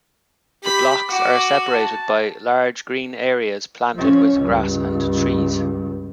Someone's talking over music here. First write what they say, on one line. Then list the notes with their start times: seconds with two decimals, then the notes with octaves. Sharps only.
The blocks are separated by large green areas planted with grass and trees.
0.64 G4 B5
1.10 F#4 D6
1.73 A5
3.95 F3 C#4
4.36 C#2 G2